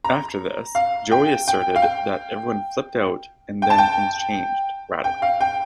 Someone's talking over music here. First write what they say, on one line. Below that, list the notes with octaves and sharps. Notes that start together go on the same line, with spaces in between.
After this, Joey asserted that everyone flipped out and then things changed radically.
A#5
F5
G5
G5
F5
G5
G5
A5
G5
G5
F5
G5